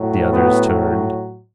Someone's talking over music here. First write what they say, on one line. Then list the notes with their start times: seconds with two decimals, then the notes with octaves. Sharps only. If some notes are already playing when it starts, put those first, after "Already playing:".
The others turned.
Already playing: A2 F#3
0.30 B3